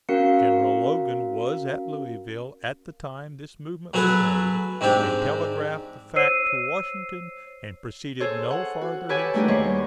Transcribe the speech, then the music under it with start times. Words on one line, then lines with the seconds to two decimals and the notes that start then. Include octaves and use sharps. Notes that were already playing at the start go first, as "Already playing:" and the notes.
General Logan was at Louisville at the time this movement was made, and telegraphed the fact to Washington, and proceeded no farther himself.
0.09 C4 C#4 F#4 A#4 F5 C#7
3.93 F#3 B3 G#4 A4 B4
4.81 G#2 C4 D4 G4
6.15 C5 C#5 E6 C7 D#7
8.20 G#4 A4 C5 C#5
8.51 F#5
8.81 F#4
9.09 G4 A4 B4 C#5 F#5 G#5
9.34 G3 A3 D4 D#4 G4 G#4
9.48 D#2 G3 G#3 C5 C#5 C#6